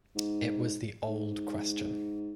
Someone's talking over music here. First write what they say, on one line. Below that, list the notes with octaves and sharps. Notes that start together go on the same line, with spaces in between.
It was the old question.
G#2
G#2